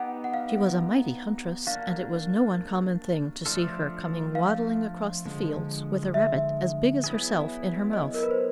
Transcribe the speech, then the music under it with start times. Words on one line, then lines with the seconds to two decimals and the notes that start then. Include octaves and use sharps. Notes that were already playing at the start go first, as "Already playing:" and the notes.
She was a mighty huntress, and it was no uncommon thing, to see her coming waddling across the fields with a rabbit as big as herself in her mouth.
Already playing: B3 D#4 G4 F#5
0.24 F#5
0.34 F5
1.67 A#3 D4 F#4 F5
3.46 F3 A3 D4 F4 A4
4.35 F5
5.26 D3 F3 G#3
6.14 E5
7.04 F#3 B3 E4 G#4
7.93 D#5
8.14 A#4
8.23 B4
8.31 C5